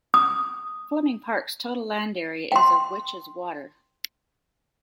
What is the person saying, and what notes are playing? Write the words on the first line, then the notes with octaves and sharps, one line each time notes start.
Fleming Park's total land area is of which is water.
D#6
G5 C6